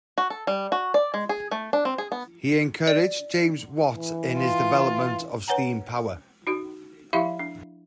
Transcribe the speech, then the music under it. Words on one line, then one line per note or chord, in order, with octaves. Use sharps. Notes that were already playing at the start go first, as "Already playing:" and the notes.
He encouraged James Watt in his development of steam power.
F#4
A4
G3
F#4
D5
G#3
G#4
A3
D4
C4
G#4
B3
D5
E3
F4
B4 C#5 F#5 G#5 A#5
D#4 F#4
F3 E4 G4 E5 F5 B5
D4